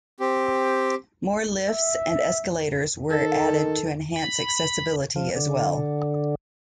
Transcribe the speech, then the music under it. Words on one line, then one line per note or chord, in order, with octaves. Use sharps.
More lifts and escalators were added to enhance accessibility as well.
C4 G4
E5
D#3 A4
B5
F3
D3